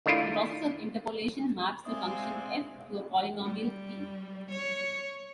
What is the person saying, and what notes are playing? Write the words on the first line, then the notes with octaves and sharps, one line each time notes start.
The process of interpolation maps the function "f" to a polynomial "p".
D#3 A3 D4 E4 F4
G#3 C4 D#4 D5 E5 F5 G#5 D#6
G3
C#5